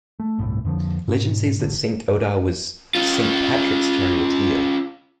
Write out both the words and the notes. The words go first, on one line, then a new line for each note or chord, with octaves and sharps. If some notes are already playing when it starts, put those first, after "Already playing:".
Legend says that Saint Odhar was Saint Patrick's charioteer.
A3
G1 C2 A2
F2 D3 D#3 F3
G#2 B2
A1 D3
C#4 F4